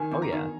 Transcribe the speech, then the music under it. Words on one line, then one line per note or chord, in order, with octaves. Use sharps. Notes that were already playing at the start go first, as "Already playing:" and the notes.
Oh, yeah.
Already playing: D#3 G#5
E2
A#5
D#3